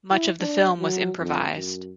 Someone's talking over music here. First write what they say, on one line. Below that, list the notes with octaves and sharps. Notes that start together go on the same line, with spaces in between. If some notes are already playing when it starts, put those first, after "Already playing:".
Much of the film was improvised.
E4
D4
F#3
F2
F#2